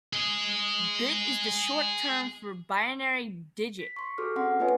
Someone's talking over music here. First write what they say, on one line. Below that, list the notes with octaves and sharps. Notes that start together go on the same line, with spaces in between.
Bit is the short term for binary digit.
G#4 D#5
B6
C6 C#6
F#4 G#4 A4 C6 D6 F6
C4 C#4 G#4 F#5 C6
A#3 F4 B4 C#5 D#5 G#5